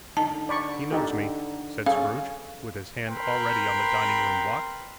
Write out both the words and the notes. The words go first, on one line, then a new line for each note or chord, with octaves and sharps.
He knows me,' said Scrooge, with his hand already on the dining-room lock.
D3 D#4 A5
D5 B5 C#6
D#4 G4 A4
C#4 G#4 A4 F5
C4 A#4 B4 G5 B5 C6